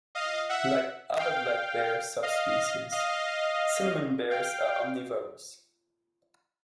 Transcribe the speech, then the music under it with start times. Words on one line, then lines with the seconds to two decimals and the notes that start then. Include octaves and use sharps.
Like other black bear subspecies, Cinnamon bears are omnivorous.
0.15 D#5 F5
0.49 E5 F#5
1.19 F5 G5
2.22 D#5 F5
2.92 D#5 F5
4.30 F5 G5